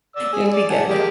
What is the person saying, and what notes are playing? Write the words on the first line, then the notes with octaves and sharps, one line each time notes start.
It'll be good,
D5 E6
G#4
D5
F#5 G#5 A5
G#3 A#3 G4